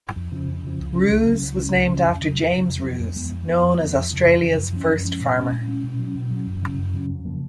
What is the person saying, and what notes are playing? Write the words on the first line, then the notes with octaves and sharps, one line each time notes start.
Ruse was named after James Ruse, known as Australia's first farmer.
F2
C#3 F3
F2
C#3 F3
C#2
C#3 F#3 C#4
C#2
C#3 F#3 C#4
C#2
C#3 G#3 C#4
C#2
C#3 G#3 C#4
F2
C#3 F#3
F2
C#3 F#3
F2
F3 G#3 B3
F2
F3 G#3 B3
F2
F3 B3
F2
F3 B3
F2
C#3 F3
F2
C#3 F3
F#2
F3 G#3 C#4
F#2
F3 G#3 C#4
A#2
G#3 C#4
A#2
G#3 C#4
B2
F#3 C#4
B2
F#3 C#4
F#2
C#3 F#3 C#4
F#2
C#3 F#3 C#4
F2
C#3 F3 A#3